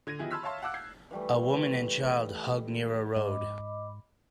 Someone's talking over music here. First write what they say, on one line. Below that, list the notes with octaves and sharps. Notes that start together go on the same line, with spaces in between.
A woman and child hug near a road.
D3 G#6 A#6 D#7
D#3 F3 B3 E4 G4 G#4
A5 B5 C6 E6 F6 B6
C#5 E5 F5 A5 C6
F5 F#5 A5 D6 E6 F#6
G6 G#6 C7
E3 G3 A3
G#2 D#5 B5 D6